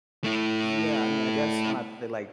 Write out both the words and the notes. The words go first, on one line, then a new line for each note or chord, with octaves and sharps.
Yeah, I mean, I guess when I play, like,
A3 E4